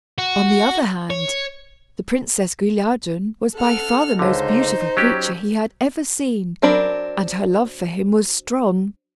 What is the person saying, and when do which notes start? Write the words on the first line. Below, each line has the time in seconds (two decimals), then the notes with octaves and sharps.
On the other hand, the Princess Guilliadun was by far the most beautiful creature he had ever seen, and her love for him was strong.
0.18 F#4
1.10 C#5
3.55 A4 F#5 F6
4.19 C#2 D3 D#4 C5
4.97 F#3 C#4 G4
6.62 F#3 C4 D4 A#4 B5